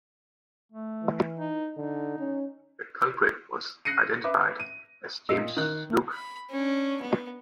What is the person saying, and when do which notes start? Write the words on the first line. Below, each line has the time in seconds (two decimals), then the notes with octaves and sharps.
The culprit was identified as James Snook.
0.72 A3
1.03 E3
1.38 D#4
1.77 D3 D#4
2.19 C#4
3.85 F#6 A#6 C7 C#7 D#7
4.24 B4 E5 D6
4.60 D#7
5.29 A#2 D#5 E6
5.57 D#3 F#6
6.13 B5
6.51 C#4 D4
7.01 B3